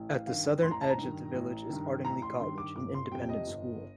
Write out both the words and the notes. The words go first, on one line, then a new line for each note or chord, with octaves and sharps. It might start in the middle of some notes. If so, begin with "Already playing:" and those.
At the southern edge of the village is Ardingly College, an independent school.
Already playing: A1
F5
G2 D#3 F5
A1 C6
A#5
A5
A#5
G2 D#3
A1
G2 D#3
A1 A#5
C6
G2 D#3 C6
D6
G1 D6
C6
F2 C3 G3 G5
D#5
G1